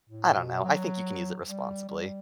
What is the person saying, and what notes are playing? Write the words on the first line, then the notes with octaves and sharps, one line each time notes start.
I don't know. I think you can use it responsibly.
A2
B2
F#3
G3
G3